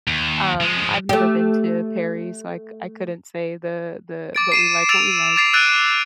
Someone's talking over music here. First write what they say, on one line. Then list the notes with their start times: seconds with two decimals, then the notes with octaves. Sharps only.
Um, I've never been to Paris, so I I couldn't say the the but, we like what we like
0.07 D#2
0.61 F3 G#3
1.09 A3 G4
4.35 D6 A6 D7
4.52 C7 D#7 E7
4.89 E6 A6 C7 D7 E7 F7
5.36 D6 A6 C7
5.53 E6 F#6 G6 A6 D7 D#7